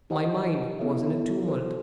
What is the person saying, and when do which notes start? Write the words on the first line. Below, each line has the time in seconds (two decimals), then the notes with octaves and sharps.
My mind was in a tumult.
0.10 D#4 G4 C5 D#5 F#5
0.79 B3 E4 A4 C#5 E5
1.48 D#4 F#4 A4 C5